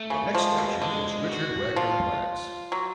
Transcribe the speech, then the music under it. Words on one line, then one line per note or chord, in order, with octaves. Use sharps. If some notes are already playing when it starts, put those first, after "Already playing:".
The next station is Richard Wagner Platz.
Already playing: A3
C#3
F3 G#3
B2
D3 G#3
F#4
F3 F4
F#3